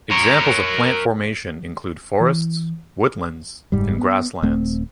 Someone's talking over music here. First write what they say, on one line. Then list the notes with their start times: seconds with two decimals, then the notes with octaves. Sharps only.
Examples of plant formation include forests, woodlands, and grasslands.
0.11 A#4 C#5
2.20 E3
3.72 F#1 G#2 G3
3.98 B3
4.42 D#1 A3 C4